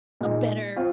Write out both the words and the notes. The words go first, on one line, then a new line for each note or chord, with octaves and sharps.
a better
A#2 G#3 D#4
C4 F4